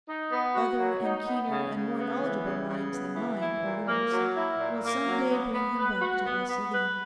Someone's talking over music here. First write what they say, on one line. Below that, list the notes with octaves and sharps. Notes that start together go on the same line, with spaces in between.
Other and keener and more knowledgeable minds than mine or yours will some day bring him back to us again.
D#4
B3
F#4
F#3
D#4
B3
C#3
C#3
B3
E3
C#3
C#3
B3
E3
E4
A#2
A#3
F#3
E4
A#2
A#3
F#3
B3
B3
B4
F#4
B3
B3
B4